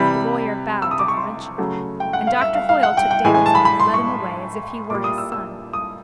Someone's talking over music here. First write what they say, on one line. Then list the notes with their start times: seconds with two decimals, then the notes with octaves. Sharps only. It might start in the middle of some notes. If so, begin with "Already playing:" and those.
The lawyer bowed deferentially, and Doctor Hoyle took David's arm and led him away as if he were his son.
Already playing: C3 E3 G3 B5
0.82 E6
0.91 D#6
0.99 D6
1.08 C#6
1.17 C6
1.58 C#3 F#3 A3
2.00 G5
2.13 F#5
2.27 F5
2.41 E5
2.55 F5
2.69 F5
2.83 F#5
2.97 G5
3.11 G5
3.24 A2 E3 G#3 G#5
3.34 G#5
3.46 A5
3.55 B5
3.65 B5
3.80 C6
3.94 C#6
4.90 A#2 G3 D6
5.04 D#6
5.18 E6
5.32 E6
5.73 D#6